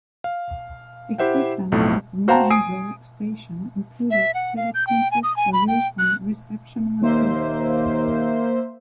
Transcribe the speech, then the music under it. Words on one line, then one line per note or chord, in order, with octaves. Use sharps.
Equipment at the Molonglo station included teleprinters for use when reception was good.
F5
E4 G4 C5 E5 F#5 G5
B1 F2 A2 A3
F#4 C5 F5 G5 A5 A#5
G#5 D#6 C7 D7
E5
F#5
F5
G6
G5
G#5
D#6
G#5
B5
G5
F#6
D#2 A#3 C5 E5